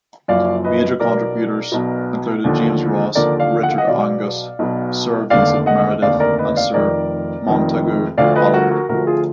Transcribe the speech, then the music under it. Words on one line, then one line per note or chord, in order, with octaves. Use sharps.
Major contributors included James Ross, Richard Angus, Sir Vincent Meredith and Sir Montagu Allan.
F#1 F#2 F3 D5 F5
B4 D#5
B1 B2 A#4 D5
B1 B2
D#2 D3 F3
D#2 D3 F3 A#4 D5
D5 F5
F#5
F5
D#5 F#5
B1 B2 D5 F5
B1 B2
F1 D#2 D3 D5 F5
D#5 F#5
F1 D#2 D3 D5 F5
A#4 D5
B4 D#5
D5 F5
F1 F2 D#3 A#4 D5
F1 F2 D#3
D2 D3 F3 D5 F5
B4 D#5
F#4 A#4
F#4 A#4
D2 D3 F3 F#4 A#4
F4 G#4